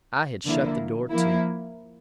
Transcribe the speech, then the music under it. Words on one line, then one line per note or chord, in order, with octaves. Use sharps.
I had shut the door to.
D3 F3 A#3 E4
F3 A#3 E4